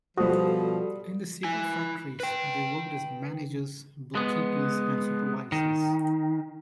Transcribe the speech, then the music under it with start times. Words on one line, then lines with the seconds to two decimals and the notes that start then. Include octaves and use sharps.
In the cigar factories, they worked as managers, bookkeepers, and supervisors.
0.18 B2 F3 G3 F#4 A4 D#6
1.44 E4 G#5
2.20 B4 G5
4.15 G#3 B3
5.52 D#3